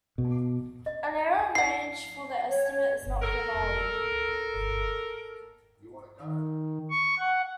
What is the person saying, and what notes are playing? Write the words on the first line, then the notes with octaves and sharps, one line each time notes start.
An error range for the estimate is not provided.
B2
D#5
E4 F#5 C7
C#5
A4 A#4
D#3
C#6
F#5